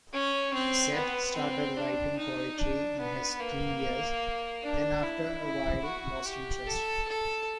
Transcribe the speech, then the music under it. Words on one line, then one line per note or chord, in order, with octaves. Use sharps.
Seth started writing poetry in his teen years, then after a while lost interest.
C#4
C4
B3
C4
D4
D#4
D4
B3
A#3
D4
E4
E4
F#4
G4
A4
A4